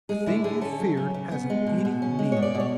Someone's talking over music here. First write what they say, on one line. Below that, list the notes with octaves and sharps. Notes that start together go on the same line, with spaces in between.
The thing you feared hasn't any meaning.
G#3 G#4
D3 E4
D3 G#4
C#4 A4
F#3
C#3
C#3
B3
G#3
B2
B2
C#4
G#3
B2 C#5
D5
B2
C#5